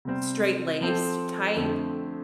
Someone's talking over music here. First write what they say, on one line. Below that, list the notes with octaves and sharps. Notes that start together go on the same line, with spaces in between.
straight-laced type,
C3 G3 C4
F3 C4 A4 C5
F2 D3 A3 C4